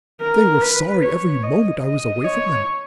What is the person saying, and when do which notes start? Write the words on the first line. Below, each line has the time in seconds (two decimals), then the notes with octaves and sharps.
They were sorry every moment I was away from them.
0.21 A#4
0.62 B4
1.02 C#5
1.43 D#5
1.83 D#5
2.24 C#5